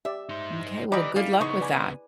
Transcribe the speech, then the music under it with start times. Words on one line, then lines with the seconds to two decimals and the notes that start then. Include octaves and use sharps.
M'kay. Well, good luck with that.
0.05 G4 D5 E5
0.29 D#4 C5
0.92 E3 G3 D5 D#5 A#5 B5
1.16 G3 E4 G#4 D5 F5
1.41 C#3 B3 D#4 A#5 C6 C#6
1.60 B4 D5 G#5